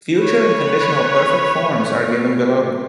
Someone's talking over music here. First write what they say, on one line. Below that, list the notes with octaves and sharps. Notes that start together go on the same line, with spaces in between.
Future and conditional perfect forms are given below.
B4 C#5